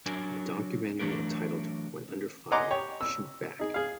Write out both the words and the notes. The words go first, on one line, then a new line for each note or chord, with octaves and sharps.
A documentary entitled When Under Fire: Shoot Back!
F#3 D4 A#4 G#5
E3 F#3 A3 D4 A#4
D#5 F#5 G#5 A#5 C6 D6
G4 C#5
E6
D#4 G#4
G#4 F5